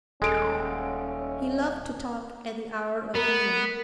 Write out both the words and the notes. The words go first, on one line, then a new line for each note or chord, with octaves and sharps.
He loved to talk at the hour of noon.
D#1 G#3 C#4 A4 D7
B3 A#4